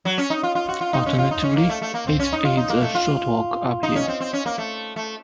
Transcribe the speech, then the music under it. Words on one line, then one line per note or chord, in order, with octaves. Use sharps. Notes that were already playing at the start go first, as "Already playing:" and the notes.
Alternatively, it is a short walk uphill.
F#3
C#4
D#4
F4
F4
F#4
F4
D#4
C#4
F4
D#4
C#4
A#3
A3
A3
A#3
C4
C#4
D#4
F4
D#4
A#3
A3
F4
D#4
C#4
C4
C4
C#4
A#3
A3
A3